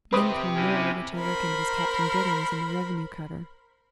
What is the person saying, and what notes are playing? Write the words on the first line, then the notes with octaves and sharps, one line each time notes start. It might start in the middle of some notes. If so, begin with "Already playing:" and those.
Then come more, which I reckoned was Captain Giddens in the Revenue cutter.
C4 G4 B4 C5 D#6
C3 C#4 E4
A#4 C5 B5